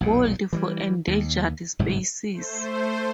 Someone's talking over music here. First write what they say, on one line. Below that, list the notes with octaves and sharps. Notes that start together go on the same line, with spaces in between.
Bold for endangered species.
B1 E2 A#2
E3 F#3 G3
D#2
G1 G#2 C3 F#3
A3 C5